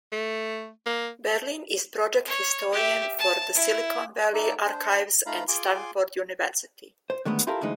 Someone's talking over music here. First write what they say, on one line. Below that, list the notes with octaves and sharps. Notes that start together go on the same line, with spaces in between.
Berlin is Project Historian for the Silicon Valley Archives at Stanford University.
A3
A#3
C#5
G4 E5
A5
E4
A3 D#4 A#4 D5 E5
D4 C5
A3 D#4 F4 F5 A#5 B5
F4 G#4 G#5 C6 D6
C5
D3 D#3 G#3 A3 B3
E4 F4 G4 A4 A#4 F5
D2 D3 E3 G#3 D#4